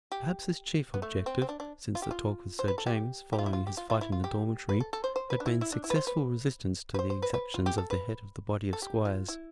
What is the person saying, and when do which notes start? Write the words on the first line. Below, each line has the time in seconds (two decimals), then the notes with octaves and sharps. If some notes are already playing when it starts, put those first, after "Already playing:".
Perhaps his chief objective since the talk with Sir James following his fight in the dormitory had been successful resistance to the exactions of the head of the body of squires.
0.12 G4
0.94 B3
1.02 A3
1.26 C4
1.42 C4
1.49 D4
1.60 D4
1.95 F4
2.02 G4
2.11 F4
2.59 C5
2.68 B4
2.78 A4
2.86 G4
3.33 G4
3.39 F4
3.46 E4
3.53 F4
3.67 G4
3.77 F4
3.90 F4
4.01 E4
4.12 F4
4.24 G4
4.69 B4
4.80 A4
4.93 A4
5.04 C5
5.16 C5
5.30 B4
5.40 D4
5.46 E4
5.61 E4
5.72 D4
5.84 E4
5.90 B4
5.96 C5
6.07 B4
6.94 B4
6.99 C5
7.10 C5
7.22 B4
7.34 B4
7.54 F4
7.66 G4
7.78 A4
7.91 B4
8.73 A4
8.82 G4
9.05 F4
9.28 E4